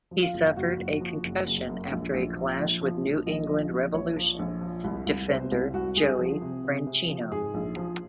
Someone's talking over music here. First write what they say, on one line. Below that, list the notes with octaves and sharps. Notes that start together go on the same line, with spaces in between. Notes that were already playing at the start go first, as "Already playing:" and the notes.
He suffered a concussion after a clash with New England Revolution defender Joey Franchino.
F3
F4
F#1
F#1 F#4
F#1
F3
F#1
F#1
F#2
A#1
A#1
F3
A#1
F3
A#1
A#1 D#5
F3
A#1
A#1 C#5
F3
A#1
F3
C2
C2
C3 C5
C2
C2 F#4
C2 G#4
F3
C3
C3
C3
F3
G#2 G#4
A#1
F3